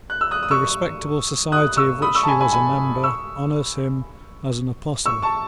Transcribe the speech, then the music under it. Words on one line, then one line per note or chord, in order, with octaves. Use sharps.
The respectable society of which he was a member honours him as an apostle.
F#6
E6
D#6 F#6
D#6
C#6 E6
D#6 F#6
C#6 E6
B5 D#6
C#6 E6
A5
G#5 B5
G#5 B5
G#5 B5
C#6 E6
C#6 E6
A5 C#6